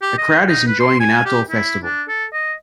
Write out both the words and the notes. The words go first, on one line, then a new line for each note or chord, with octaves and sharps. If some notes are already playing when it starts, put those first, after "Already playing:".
A crowd is enjoying an outdoor festival.
G4
D#5
D#4
B4
C6
G#5
G4
E4
D4
A4
D#5